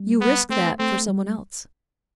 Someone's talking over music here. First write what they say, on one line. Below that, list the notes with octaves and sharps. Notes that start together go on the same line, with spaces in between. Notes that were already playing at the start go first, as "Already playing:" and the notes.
"You risk that for some one else."
Already playing: G3
B3
A3 C4
A3 C4
G3